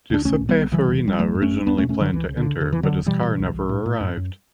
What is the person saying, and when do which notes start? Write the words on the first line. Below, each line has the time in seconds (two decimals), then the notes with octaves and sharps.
Giuseppe Farina originally planned to enter, but his car never arrived.
0.10 D2 D4
0.25 B1 A3 C#4
0.41 A2
0.49 G3 B3
0.57 B1
0.72 C#3 E3 G3
0.87 E1
1.04 E1 G3
1.19 G1 F#3 A3
1.35 F#2
1.42 A3 C#4
1.50 G1
1.66 E2 B3 D4
1.78 A3 C#4
1.82 B2
1.89 A3 C#4
1.98 F#1 D3 F#3
2.13 C#2 E3
2.28 C#3
2.37 D3
2.45 C#3
2.60 E2 D3
2.72 E1 E3
2.83 D3 F#3
2.91 E1
3.06 B2 E3 G3
3.22 B2
3.39 C#2
3.54 B1
3.69 A2
3.86 A2
4.00 F#2
4.17 F#2